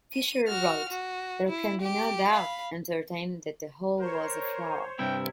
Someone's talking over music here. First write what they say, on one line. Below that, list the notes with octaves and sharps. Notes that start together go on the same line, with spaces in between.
Fisher wrote: "There can be no doubt entertained that the whole was a fraud.".
D#7
F#4 F6
F#4
E4
G4 D7
F5 B5
A#4 C5 C#5
G2 C3 E4 G5